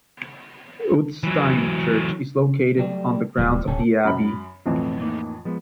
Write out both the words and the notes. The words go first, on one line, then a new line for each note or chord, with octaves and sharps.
Utstein Church is located on the grounds of the abbey.
E3 F#3
F#3 G3 A3
D1 F3 G3 G#3
D1 C#4 G4 A4
F#2 A#5 B5
B1 F2 A2 E3 C4
A#3 D#4
F3 G#3 B3